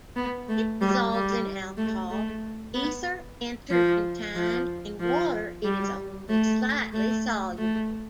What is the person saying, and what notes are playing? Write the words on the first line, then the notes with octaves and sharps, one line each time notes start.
It dissolves in alcohol, ether and turpentine; in water it is only slightly soluble.
B3
A3
G3
G3
A3
A3
B3
F3
F3
F3
G3
A3
A3
A3